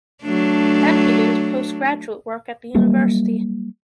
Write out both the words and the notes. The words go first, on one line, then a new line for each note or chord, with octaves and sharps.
Then he did his postgraduate work at the university.
F#3 A3 D4
F#3 G3 A#3